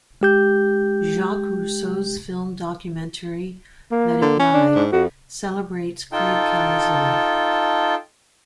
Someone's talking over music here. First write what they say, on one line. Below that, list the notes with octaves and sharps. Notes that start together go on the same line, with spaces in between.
Jacques Russo's film documentary, "Let It Ride", celebrates Craig Kelly's life.
G#3 G4 G6
A#3
D3
C#4
D4
G#2
F2 F#4
D#4 F4 A4 G5 A5